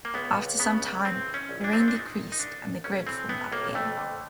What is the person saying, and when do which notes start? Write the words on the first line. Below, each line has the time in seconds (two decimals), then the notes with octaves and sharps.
After some time the rain decreased and the grid formed up again.
0.05 A#3
0.14 C#2 B3
0.36 C#2
0.59 C#3 B3
0.82 C#2
1.04 E3 C4
1.27 E3
1.34 C#4
1.49 A#1
1.64 D4
1.72 E3 C4
1.80 C#4
1.88 D4
1.94 A#2 D#4
2.17 C2
2.32 D#4
2.39 C2 D4
2.62 C2
2.84 B1 C#4
3.07 E3 C4
3.29 A2 B3
3.52 B1 A#3
3.74 F2 A3
3.97 D3